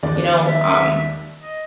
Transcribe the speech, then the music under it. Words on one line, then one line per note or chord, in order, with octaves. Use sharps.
you know, um,
D#2 D5
E5
D#5